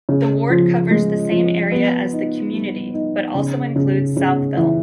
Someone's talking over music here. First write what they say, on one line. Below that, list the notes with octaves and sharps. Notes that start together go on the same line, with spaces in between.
The ward covers the same area as the community, but also includes Southville.
C#3
F3
G#3
F3
B3
D#4
G3
D#4
C#3
C#3
C#3
E3